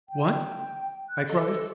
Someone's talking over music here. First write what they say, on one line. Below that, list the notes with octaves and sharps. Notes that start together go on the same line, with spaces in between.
"What!" I cried.
G5
F#6
A4 D#5